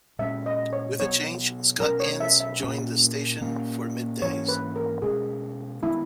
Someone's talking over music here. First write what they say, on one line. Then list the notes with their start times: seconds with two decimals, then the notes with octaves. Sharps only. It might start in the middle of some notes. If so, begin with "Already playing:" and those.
With the change, Scott Innes joined the station for middays.
0.19 A#2 G#3 C#4 E5
0.46 D#5
0.73 C#5
1.00 B2 F#3 B3 C#5
1.80 B2 F#3 C#4 A#4
2.00 C#5
2.20 E5
2.40 E5
2.60 A#2 A#3 C#4
3.41 A#2 A#3 C#4
4.22 G#2 E3 A#3 C#4 C#5
4.48 B4
4.76 A#4
5.02 B2 G#3 C#4 G#4
5.83 D#3 G#3 B3 E4